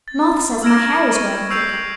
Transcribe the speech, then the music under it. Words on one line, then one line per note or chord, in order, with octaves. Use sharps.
Martha says my hair is growing thicker.
A6
E6 F6 G#6 A#6 D7 E7
C#6
C#6 E6 G6 C7 D7 F7